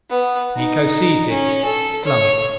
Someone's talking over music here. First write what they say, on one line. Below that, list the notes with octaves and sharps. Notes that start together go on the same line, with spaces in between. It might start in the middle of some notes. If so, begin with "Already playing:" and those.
Miko seized it: flung it.
B3
D#4
C#4
A4
C#5